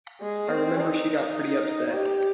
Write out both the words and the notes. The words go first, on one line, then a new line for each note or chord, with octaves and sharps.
I remember she got pretty upset.
G#3
C4
D#4
G4